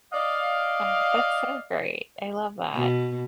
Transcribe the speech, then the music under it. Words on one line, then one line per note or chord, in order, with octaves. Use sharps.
Ah, that's so great. I love that.
D5 D#5 F5
B2